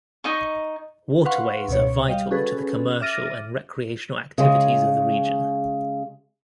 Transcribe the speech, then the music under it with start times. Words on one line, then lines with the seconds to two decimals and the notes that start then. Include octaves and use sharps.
Waterways are vital to the commercial and recreational activities of the region.
0.24 D#4 D#5 C#6
1.25 B4 F5 F#5 C6 C#6
1.68 C#2 B2 C#5
2.07 G3 D#5 F5 G5
2.31 C#4 F#4 G#4 A4 B4
3.01 E5 D6 F6 A6 A#6 D#7
4.38 C#3 G#3